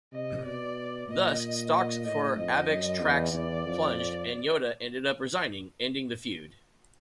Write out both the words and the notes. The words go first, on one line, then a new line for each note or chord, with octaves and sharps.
Thus, stocks for Avex Trax plunged and Yoda ended up resigning, ending the feud.
C3 D#5
B2 D5
A#2 D#5
D#5
A2 D#5
F2 D#5
F#2
E2
E2 D5
F2